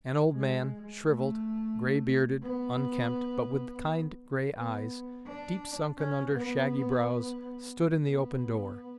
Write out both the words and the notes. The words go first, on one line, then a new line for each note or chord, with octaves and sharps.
An old man, shriveled, gray-bearded, unkempt, but with kind gray eyes, deep-sunken under shaggy brows, stood in the open door.
G#3
A3
B3
B3
D4
C#4
B3
B3